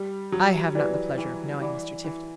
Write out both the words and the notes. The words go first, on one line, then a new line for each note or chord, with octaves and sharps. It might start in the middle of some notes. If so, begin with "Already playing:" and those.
"I have not the pleasure of knowing Mr. Tifto."
Already playing: G3
F#3
E3 G4 B4 D5
E3
E3 D5 F#5 B5 D6
E3